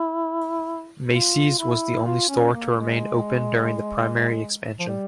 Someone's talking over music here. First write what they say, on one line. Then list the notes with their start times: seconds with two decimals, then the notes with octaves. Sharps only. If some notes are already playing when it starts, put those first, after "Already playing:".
Macy's was the only store to remain open during the primary expansion.
Already playing: E4
1.11 F4
1.59 E4
2.05 F4
2.29 C#4
2.52 A#3
2.75 G#3
4.79 F3
4.88 G3